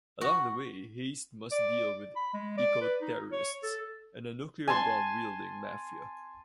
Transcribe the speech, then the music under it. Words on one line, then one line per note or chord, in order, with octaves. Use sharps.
Along the way Hayes must deal with eco-terrorists, and a nuclear bomb wielding Mafia.
F#4
D5
B5
G#3
D5
B4
D#4
C#5
A4
G#5 A5 C6